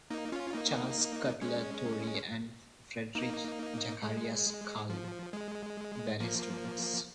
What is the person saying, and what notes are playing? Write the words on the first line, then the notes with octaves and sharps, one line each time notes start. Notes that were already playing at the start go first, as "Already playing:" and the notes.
Charles Cutler Torrey and Friedrich Zacharias Schwally were his students.
A#3 D#4
C#4 F4
A#3 D#4
G#3 C#4
A#3 D#4
G#3
F3
G#3
F3 A#3